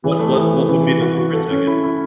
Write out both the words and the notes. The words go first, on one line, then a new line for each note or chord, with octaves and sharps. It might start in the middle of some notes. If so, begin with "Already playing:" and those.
What what what would be the difference, I gue
E3
A3
E3
C3
E3
F#4
F#4
F#4
A4
C#4
E4
E4